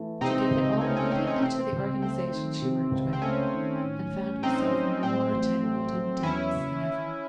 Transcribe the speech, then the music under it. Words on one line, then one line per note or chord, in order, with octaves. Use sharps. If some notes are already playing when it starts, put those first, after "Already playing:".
She gave it all immediately to the organization she worked with, and found herself more tangled in doubts than ever.
Already playing: E3 A3
C3 C4 D#4
C#2
A3 C#4
C#4
E3 C4
C#4
C3 C4
C#2
A3 C4
D#3
C3
C#2
C4
A3 C#4
D#3
A2
A1
A3 C4 D#4
F#3
A2 C4
A1
A3
F#3
E2 C#4 E4
F#1
E3